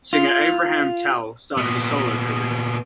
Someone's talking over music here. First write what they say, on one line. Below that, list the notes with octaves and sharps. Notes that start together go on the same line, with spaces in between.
Singer Avraham Tal started a solo career.
F4
A#2 B3